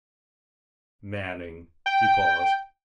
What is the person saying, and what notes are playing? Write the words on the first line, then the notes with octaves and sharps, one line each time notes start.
"Manning." He paused.
G5